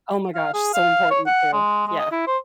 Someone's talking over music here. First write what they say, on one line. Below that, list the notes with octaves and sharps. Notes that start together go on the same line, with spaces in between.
Oh my gosh, so important too, yeah.
F5
G#4
F5
C#5
F#5
G#3
G#3
D#5
E4
C5